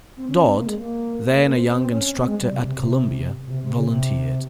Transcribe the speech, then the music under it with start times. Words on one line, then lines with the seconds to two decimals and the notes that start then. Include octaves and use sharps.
Dodd, then a young instructor at Columbia, volunteered.
0.17 C4
0.29 C#4
0.42 C4
0.54 A#3
0.66 G#3
0.79 A#3
1.28 A#3
1.40 A#3
1.53 C4
1.65 C4
1.77 C4
1.90 C#4
2.02 C#4
2.15 C4
2.26 G#3
2.39 G3
2.52 C3
2.64 C3
2.76 C3
3.46 A#2
3.50 C3
3.63 C3
3.75 C#3
3.87 C3